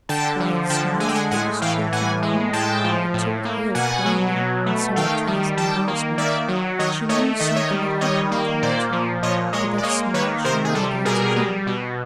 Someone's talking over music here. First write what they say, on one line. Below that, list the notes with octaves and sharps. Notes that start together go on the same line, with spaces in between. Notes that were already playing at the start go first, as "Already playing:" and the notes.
The quiet smile of that astute young woman had told Hale plainly, and somewhat to his embarrassment, that she knew something had happened between the two, but that smile she never gave to June.
D3 G5 A5
F3
D3 G5 A5
G#3 G#5
G5
F#5 G#5
A2 F#5 G#5
E3 F5 G5
A2 F#5 G#5
G#3
A2 G5 A5
F3
A2
A#3
B2 F#5 G#5
F#3
B2
A3
D#3 F5 G5
G3
D#3 G5 A5
A#3
D#3 D5 E5
F#3
D#3 C#5 D#5
A3 C#5 D#5
D#3 D#5
E5
C#5 D#5
G3
D#3 C#5 D#5
A#3
A#2 C5 D5
F3
A#2 C#5 D#5
G#3 C#5 D#5
D5
A#3 C#5 D#5
D#3 B4 C#5
C3 A#4 C5
G#4
G3 A4
B2 G#4 A#4
G3
B2